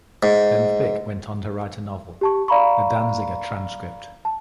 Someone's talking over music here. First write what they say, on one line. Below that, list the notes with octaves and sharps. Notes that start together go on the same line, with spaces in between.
Then Fick went on to write a novel, "The Danziger Transcript".
G#2
G4 A5 C#6
D5 F5 A#5 B5 C#6
A5